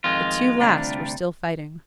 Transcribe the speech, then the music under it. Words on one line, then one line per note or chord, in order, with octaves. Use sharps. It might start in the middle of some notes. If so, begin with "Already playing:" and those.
The two last were still fighting.
F2 D#3 G#3 F4
D2 C3 G3 D4